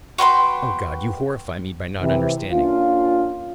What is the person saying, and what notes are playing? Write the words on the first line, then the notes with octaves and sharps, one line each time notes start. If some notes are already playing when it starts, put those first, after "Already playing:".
Oh, God, you horrify me by not understanding!
F#4 B4 G5 C6
C3 E3
A#3 C#4 D4 F4